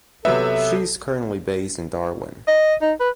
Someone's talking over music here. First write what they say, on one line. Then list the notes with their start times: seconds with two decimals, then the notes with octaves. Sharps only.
She is currently based in Darwin.
0.25 C3 F#3 B3 A4 E5
2.48 D#5
2.82 D#4
3.00 B4